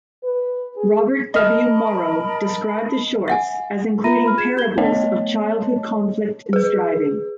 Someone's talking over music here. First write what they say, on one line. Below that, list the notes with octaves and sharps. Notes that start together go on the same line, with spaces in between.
Robert W. Morrow described the shorts as including parables of childhood conflict and striving.
B4
G#4
A#4 D#5 A5 B5 F6
E5 F#5 G#5
F4 E5 A#5 B5 A#6 D#7
B4 B5 F6
G#4 G#6 E7
G4 G6 G#6 G7
A3 B3 C#5 D#5 A5
G#4 B4